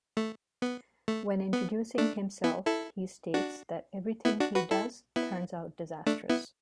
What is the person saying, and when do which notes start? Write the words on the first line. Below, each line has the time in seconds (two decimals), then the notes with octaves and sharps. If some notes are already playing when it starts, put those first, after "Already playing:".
When introducing himself, he states that everything he does turns out disastrous.
0.17 A3
0.62 B3
1.08 A3
1.53 B3
1.98 A3 D4
2.44 B3 E4
2.67 E4 A4
3.34 D4 F#4
4.25 B3 E4
4.40 D4 F#4
4.55 F#4 B4
4.71 E4 A4
5.16 B3 E4
6.07 A3 D4
6.29 B3 E4